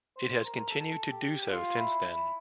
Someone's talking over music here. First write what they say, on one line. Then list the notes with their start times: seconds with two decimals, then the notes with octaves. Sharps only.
It has continued to do so since then.
0.17 C5
0.45 A#4
0.70 A4
1.11 G4
1.50 F4
1.76 E4
2.04 E4